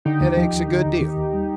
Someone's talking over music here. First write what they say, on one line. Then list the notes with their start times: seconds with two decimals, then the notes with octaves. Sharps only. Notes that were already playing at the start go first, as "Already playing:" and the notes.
Head aches a good deal.
0.05 D3 D#4 G4
0.21 D#2
0.37 F3
0.53 D#2
0.69 D3
0.85 D#2
1.01 D#3
1.17 D#2
1.34 G3